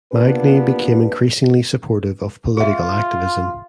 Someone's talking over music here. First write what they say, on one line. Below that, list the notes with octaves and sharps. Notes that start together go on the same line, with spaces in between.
Magny became increasingly supportive of political activism.
A#3 B3 D4 F4 G4 B4
F4 G#4 E5